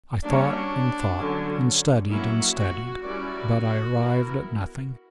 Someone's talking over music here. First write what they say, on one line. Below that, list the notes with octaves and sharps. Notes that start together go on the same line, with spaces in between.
I thought and thought and studied and studied; but I arrived at nothing.
G3 A#3 C#4 D4 F#4 C#5
D3 F#3 C#4
F#3 A#3 C#4 E4 F#4
F#4
G3 C#4 E4 F#4 A#4 D5
B3 E4 A#4